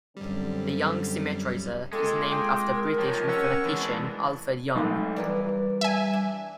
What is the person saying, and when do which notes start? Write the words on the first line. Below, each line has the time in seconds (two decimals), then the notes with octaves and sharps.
The Young symmetrizer is named after British mathematician Alfred Young.
0.17 F#2 D3 G3 C4
1.93 G#3 A#3 C4 F4 A4
2.30 G5
2.74 A#4
2.99 F3 D#4 G4 C#5
3.29 C#4 F#5 C#6 E6
3.65 E3 G#3 D4
4.75 B1 G#2 A3
5.16 E3 G3 A#4 B4 D5
5.81 E5 G#5
6.13 D4